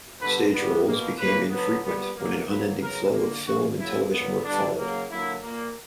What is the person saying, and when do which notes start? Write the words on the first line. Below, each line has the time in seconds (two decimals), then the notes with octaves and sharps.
Stage roles became infrequent when an unending flow of film and television work followed.
0.20 D3 G3 B3 B4
0.53 A#2 G3 B3
0.86 B2 A#3
1.18 C#3 E3 A#3 B4
1.51 D3 F#3 B3
1.83 A#2 G3 B3
2.16 D3 F#3 A#3
2.48 B2 F#3 A#3 B4
2.81 C#3 F#3 B3 A#4
3.14 D3 A#3
3.46 A#2 G3 A#3 F#4
3.79 C#3 F#3 A#3 E4
4.12 A#2 F#3 B3
4.44 D3 G3 B3 D4
4.77 C#3 F#3 A#3
5.10 D3 F#3 A#3 E4
5.42 A#2 A#3